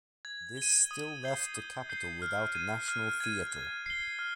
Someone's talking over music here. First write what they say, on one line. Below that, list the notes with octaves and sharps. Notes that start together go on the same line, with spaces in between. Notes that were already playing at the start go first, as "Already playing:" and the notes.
This still left the capital without a national theatre.
G#6
D#7 G7
D#6
G6 C7 G7
D#6
G6 C7 G7
F6
G#6 D#7
F6
G#6 D#7
F6
C7 G7
F6